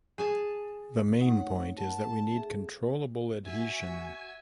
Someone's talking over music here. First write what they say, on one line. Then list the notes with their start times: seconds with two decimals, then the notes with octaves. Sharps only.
The main point is that we need controllable adhesion.
0.18 G#4 G#5 A5
1.20 A3 D#4 F#5
1.37 C#5
1.77 A#4 F#5 A5
2.36 G#4 A4 E5
3.46 F#4 E5 G#5